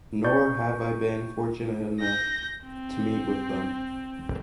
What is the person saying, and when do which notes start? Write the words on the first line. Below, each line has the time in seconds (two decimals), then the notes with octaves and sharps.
Nor have I been fortunate enough to meet with them.
0.24 D5 C#6 G6
2.00 G6 A#6
2.64 C4